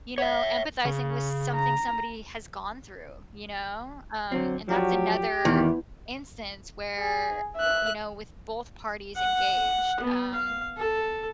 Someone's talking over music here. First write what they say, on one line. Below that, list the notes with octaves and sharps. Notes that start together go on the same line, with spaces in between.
you know, empathizing with something somebody has gone through, you know, um, and that's another instance where, you know, with both parties engaged, um,
C#5 E5
C#3
A#5
D3 F#3 C4
F3 F#3 D4 F#4 G4
E2 B2 D#3 B3
G#4
E5 F#6
F#5
B3
F5
A4